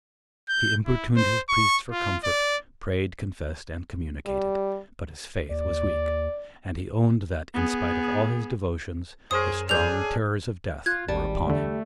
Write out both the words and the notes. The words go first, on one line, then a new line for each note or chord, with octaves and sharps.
He importuned his priests for comfort, prayed, confessed, and communicated: but his faith was weak; and he owned that, in spite of all his devotions, the strong terrors of death were upon him.
G6
E4
C5
C#6
F4
D5
G3
D#2 D5
B3 G#4
F#2 G#4 A#4 C5 C#5 C6 D#6 E7
C#4 D4 G#4 A4 G6 F7
F4 F#6 G#6
G#1 G3 A5
E2 D3 A3